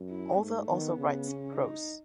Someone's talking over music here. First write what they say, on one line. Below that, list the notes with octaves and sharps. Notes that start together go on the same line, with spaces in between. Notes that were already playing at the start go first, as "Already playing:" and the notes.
Author also writes prose.
Already playing: F#2
E4
G#2 A3
D#3 B3
C#3
C#4
D#4